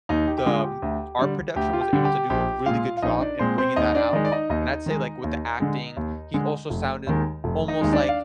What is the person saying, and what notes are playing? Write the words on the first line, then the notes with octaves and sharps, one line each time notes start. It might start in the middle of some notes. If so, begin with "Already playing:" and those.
the m art production was able to do a really good job in bringing that out, and I'd say, like, with the acting, he also sounded almost, like
D#2 D#4 D#5
G4
G4
D3 G#3 F4
G4
D2
D3 G3
D2 G4
F4
G4
D3 G3
G4
A#1 G4
A#2 G#3 F4 F5
F5
A#1 D#4 D#5
D4 D5
A#2 G#3 C4 C5
C4 C5
D#2 D#4 D#5
D4 D5
D#3 G#3 D#4 D#5
D5
D#4 D#5
D#2 D#4 D#5
D#3 G#3
D#2
D3 G#3
D#2
D3 G#3
F1
D#2 D#3 G#3
F1
D#4 D#5
D#2 D#3 G#3
D4 D5
F5